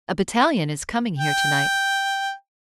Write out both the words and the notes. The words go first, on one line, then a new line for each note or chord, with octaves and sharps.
"A battalion is coming here to-night."
G5